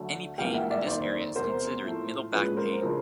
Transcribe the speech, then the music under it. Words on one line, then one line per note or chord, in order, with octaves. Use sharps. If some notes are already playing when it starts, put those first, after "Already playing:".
Any pain in this area is considered "middle back pain".
Already playing: D2 D3 F#3 A3
A#1 G#2 E3 G3 A#3 F5 G5
E5 F#5
D5 E5
F1 D#2 D#3 C5 D5
E1 E2 C3 A#4 C5
A2 F3 A3
C2 A#2 F3 G#3 C#4 B4
A#4 C5
C#3 F3 A3 D4 A#4 C5